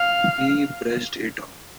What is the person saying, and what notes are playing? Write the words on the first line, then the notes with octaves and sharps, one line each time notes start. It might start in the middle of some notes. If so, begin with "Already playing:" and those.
He brushed it off.
Already playing: F5